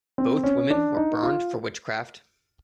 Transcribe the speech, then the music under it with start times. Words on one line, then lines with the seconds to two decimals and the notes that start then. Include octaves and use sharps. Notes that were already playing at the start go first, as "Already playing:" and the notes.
Both women were burned for witchcraft.
0.18 C4
0.44 C#4
0.70 D4
0.97 D#4
1.23 F4